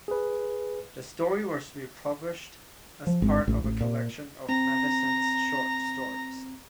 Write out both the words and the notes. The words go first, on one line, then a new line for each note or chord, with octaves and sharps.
The story was republished as part of a collection of Matheson's short stories.
G#4 B4
F3
G#1
A1
A1
A#2
C4 A#5